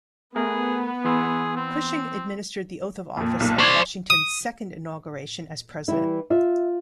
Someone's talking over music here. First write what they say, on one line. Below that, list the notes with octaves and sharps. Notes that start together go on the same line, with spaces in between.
Cushing administered the oath of office at Washington's second inauguration as president.
A3 B3 G#4 A#4
E3 G#4 C6 E6
C4
F2 A#2
B1 A#2
C5 D5 C#6 G#6
D#6
E3 G3 E4
F4 E5